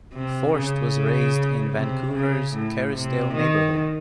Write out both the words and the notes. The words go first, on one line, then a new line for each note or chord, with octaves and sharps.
Forst was raised in Vancouver's Kerrisdale neighborhood.
C3
C#3
C3
C#3
A2
C3
D#3